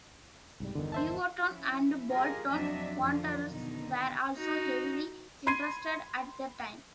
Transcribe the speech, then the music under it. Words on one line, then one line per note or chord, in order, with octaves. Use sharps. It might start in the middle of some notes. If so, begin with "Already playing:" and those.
Everton and Bolton Wanderers were also heavily interested at the time.
C2 G#2 G3
G1 E2 D3 D#3
C5 E5 A5
F3 C#4 E4
F4 G4 G#4 A#4 D#5
F2 F#3 C4 D4 D#5 E5
F2 D3 F3 F#3 D4 F4
B2 D3 D#3 D#4
D#4 F#4
B5 C6 G#6 C7 D#7